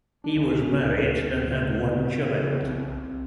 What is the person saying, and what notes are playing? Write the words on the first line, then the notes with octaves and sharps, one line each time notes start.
He was married and had one child.
D4
D2 C#4
D2
D2
D2
C#3
C#3
C#3
C#3
B3
C2 C4
C2